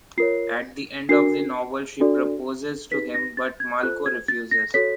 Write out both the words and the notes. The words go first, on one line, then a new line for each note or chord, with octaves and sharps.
At the end of the novel, she proposes to him, but Malko refuses.
F4 A#4 C#5 C7
D4 F#4 A#4 C7
D4 F#4 A4 D5
D#4 G4 B4 B6
A#6
A6
G#6
F4 A4 C5 F#6
G#6
A6
A#6
F#4 A4 C#5 B6